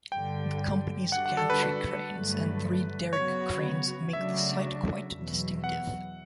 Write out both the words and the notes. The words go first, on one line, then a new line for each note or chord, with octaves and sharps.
The company's gantry cranes and three Derrick cranes make the site quite distinctive.
G2 D3 G3 G5
D3 G3 D4 F#4 F#5
F#5
A4
B4
B4
G2 D3 F#3 A3
C#3 F#3 B3 F#4 C#5
C#3 F#3 A3 D4 F#4 E5
E2 B2 F#3
F#5